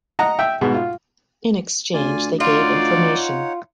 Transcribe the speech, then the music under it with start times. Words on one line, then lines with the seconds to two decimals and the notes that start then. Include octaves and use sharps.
In exchange they gave information.
0.19 D#5 F#5 A#5
0.39 E5 G5
0.61 G#2 B2
0.74 F4
1.94 D2 F4 D5 G#5
2.40 D#4 F4 C#5 D5 F#5